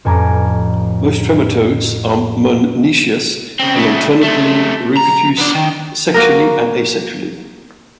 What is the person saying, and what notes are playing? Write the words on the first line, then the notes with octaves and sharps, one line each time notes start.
Most trematodes are monoecious and alternately reproduce sexually and asexually.
A1 F2 B4 G#5 A#5 D6
C#3 C4
C#3 A3
C3 A3
A#5
B3 D4
D#3
A#3 F#4 A#4